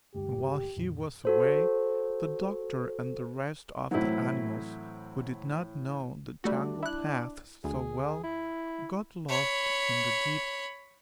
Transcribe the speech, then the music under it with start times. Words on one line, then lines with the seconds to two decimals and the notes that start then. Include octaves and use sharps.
And while he was away, the Doctor and the rest of the animals, who did not know the jungle-paths so well, got lost in the deep woods.
0.15 D2 G2 G#3 G4
0.77 F2 A#2 D#3
1.25 F#4 A4 C5
3.91 A2 E3 F#3 C4 E4
6.44 G3 A3 D4 F#4
6.83 E4 F#6
7.64 D2 G#4
8.23 E4
9.28 C#5 B5